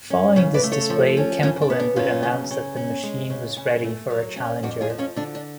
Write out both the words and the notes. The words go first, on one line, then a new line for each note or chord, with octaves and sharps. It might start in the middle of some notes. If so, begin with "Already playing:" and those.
Following this display, Kempelen would announce that the machine was ready for a challenger.
C#4
C#3 C#4 F4
B4 D5
A3
A4 C#5
F3
C#4
C#3 C#4 F4
D4
B3
D4
F#3 C#4 F4
C#3
C#3
C#4
G#3
C#3
C#3
A3
F#3
C#4
F2 D4 F#4
F4 G#4
F3
C#4 F4
D3 D4
D4